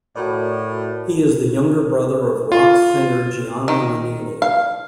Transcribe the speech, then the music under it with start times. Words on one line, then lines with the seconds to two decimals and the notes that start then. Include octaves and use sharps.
He is the younger brother of rock-singer Gianna Nannini.
0.16 A2 F#4 A#4 D5
2.52 F4
3.68 D#3
4.42 F5